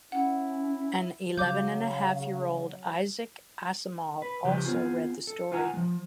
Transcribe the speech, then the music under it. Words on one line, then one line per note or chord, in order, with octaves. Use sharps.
An eleven and a half year old Isaac Asimov also read the story.
C#4 E4 F#5
C#3 F#3 F5 D6 G6
B4
C#3 F3 G4 B4 C5
B3 C4 F4 G#4
A4
F4 B4 F#5 G#5 A#5
F3 G#3